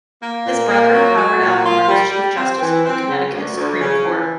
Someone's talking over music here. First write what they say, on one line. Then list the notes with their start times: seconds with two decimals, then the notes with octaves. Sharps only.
His brother Howard Alcorn was chief justice of the Connecticut Supreme Court.
0.21 A#3
0.44 A#2
0.68 A#3
0.93 F#3
1.16 F#3
1.40 A#2
1.64 F4
1.88 G3
2.12 G3
2.36 C4
2.60 E3
2.84 C4
3.08 C#3
3.32 D2
3.56 D2
3.80 C#3
4.05 E3